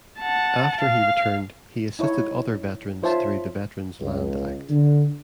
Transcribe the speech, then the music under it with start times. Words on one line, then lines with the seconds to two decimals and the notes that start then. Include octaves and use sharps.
After he returned, he assisted other veterans through the Veterans Land Act.
0.20 F#5 A5
0.80 F5
1.99 D#4 E4 C#5 C#6
3.02 D#4 F4 C5 C#5 E5 A5
4.00 C#2
4.69 D3